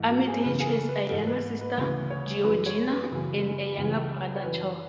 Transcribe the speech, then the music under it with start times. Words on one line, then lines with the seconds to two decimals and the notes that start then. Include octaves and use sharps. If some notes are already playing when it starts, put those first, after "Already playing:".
Armytage has a younger sister, Georgina, and a younger brother, Charles.
Already playing: G#2 E3
0.10 F#4
0.27 G#4
0.43 F#2 C#3 E3 B4
0.60 G#4
0.67 A4
0.89 B4
1.10 G#2 E3 A4
1.22 A4
1.27 B4
1.61 B4
1.77 D2 C#3 E3 B4
2.10 C#5
2.43 F#2 E3 B4
2.66 C#5
2.88 B4
3.11 F#2 C#3 E3
3.77 C#2 C#3 E3
4.36 C#5
4.43 F#2 E3 B4